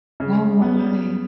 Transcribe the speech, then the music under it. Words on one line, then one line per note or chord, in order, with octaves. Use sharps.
Oh my.
C#3
B3